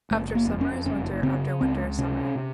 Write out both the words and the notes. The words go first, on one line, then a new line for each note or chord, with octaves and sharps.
After summer is winter, after winter summer.
F#1 A3
A#3
F2
C#4
F#1 C#4
C#3 C4
C#2 C4
C3 C#4
C3